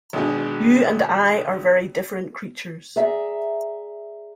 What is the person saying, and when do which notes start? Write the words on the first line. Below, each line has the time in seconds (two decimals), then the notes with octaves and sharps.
You and I are very different creatures.
0.13 G#1 B2 G#3 D4
2.96 G#4 D5 E5 A#5